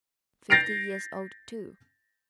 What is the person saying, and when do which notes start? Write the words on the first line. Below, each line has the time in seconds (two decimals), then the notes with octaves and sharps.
Fifty years old, too!
0.50 G6 A6 A#6 C7 D7 F7